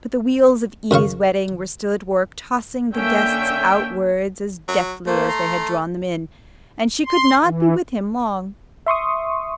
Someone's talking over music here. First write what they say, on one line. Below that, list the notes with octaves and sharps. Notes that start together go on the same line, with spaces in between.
But the wheels of Evie's wedding were still at work, tossing the guests outwards as deftly as they had drawn them in, and she could not be with him long.
F#2 C#3 F5 C#6
D3 A#3 C#4 E5 G5
F#3
A3 A#3 C5
A#5 C6
C6
E3
E5 C6 C#6 D#6